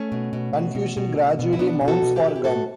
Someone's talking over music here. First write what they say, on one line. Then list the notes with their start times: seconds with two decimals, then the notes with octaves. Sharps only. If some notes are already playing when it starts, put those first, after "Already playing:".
Confusion gradually mounts for Gumm.
Already playing: A3 C#4
0.12 B2
0.33 B2
0.53 B2
0.75 B2
0.97 B2
1.17 B2
1.39 B2
1.53 E4
1.59 B2 B3 D4
1.81 B2
1.88 F#4 A4
2.03 B2
2.16 E4 G4
2.23 B2
2.36 G4
2.44 A2 F#4 A4